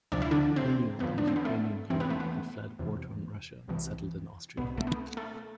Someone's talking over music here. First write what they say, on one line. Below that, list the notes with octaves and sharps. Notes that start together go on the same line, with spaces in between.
Leo, a Ukrainian Jew, had fled war-torn Russia and settled in Austria.
D2 C3 F3 D4
E4
D3 D4
C3 C4
E2 D3 F3 B3
D4
C4
B3
A3
E2 C3 E3 C4
B3
A3
B3
E2 C3 E3
C2 C3 E3
C2 B2 B3
A3
B3
A3